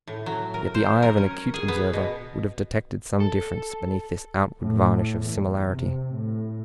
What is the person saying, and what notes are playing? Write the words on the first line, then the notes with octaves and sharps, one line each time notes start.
Yet the eye of an acute observer would have detected some difference beneath this outward varnish of similarity.
A2
F#3
A#4
C5
A#4
C#4
G#4
B3
B2
A4
A2
E2
C3
A2